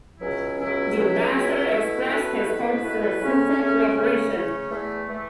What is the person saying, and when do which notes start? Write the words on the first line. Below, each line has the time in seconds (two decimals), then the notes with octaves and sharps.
The Ambassador expressed his hope for fruitful cooperation.
0.20 C#2 B2 F#3 C#4 E4
0.58 C#2 B2 F#3 C#4 E4
0.96 C#2 B2 F#3 C#4 E4
1.32 C#2 B2 F#3 C#4 E4
1.69 B2 A3 E4 B4
2.07 B2 A3 E4 B4
2.45 B2 A3 E4 B4
2.82 B2 A3 E4 B4
3.20 C#3 A3 C#4
3.57 C#3 A3 C#4
3.95 C#3 A3 C#4
4.33 C#3 A3 C#4
4.70 E2 E3 A3
5.08 E3 A3